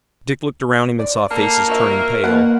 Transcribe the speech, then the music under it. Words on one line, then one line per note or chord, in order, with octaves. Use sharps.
Dick looked around him and saw faces turning pale.
D5
A#3 A4
F3 F#4 A#4 E5
B2 A#3 F#5